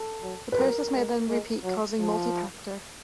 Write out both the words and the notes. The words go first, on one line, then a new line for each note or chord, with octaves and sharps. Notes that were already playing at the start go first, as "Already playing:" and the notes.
The process may then repeat causing multipactor.
Already playing: A4
F#3
B4
F#3 A#4
G#3
G#3
F#3
F3